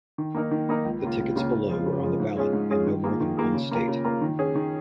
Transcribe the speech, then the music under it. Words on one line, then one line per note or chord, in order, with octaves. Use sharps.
The tickets below were on the ballot in no more than one state.
D#3
A#3 D#4 A#4
D#3
A#3 D#4 A#4
C#2
C#3 A#3 F4
C#2
C#3 A#3 F4
C#3
F3 G#3 F4
C#3
F3 G#3 F4
G#2
G#3 C#4 F4 G#4
G#2
G#3 C#4 F4 G#4
D#3
A#3 F4 G#4
D#3
A#3 F4 G#4
C#3
A#3 F4 A#4
C#3
A#3 F4 A#4
D#3
C#4 G#4
D#3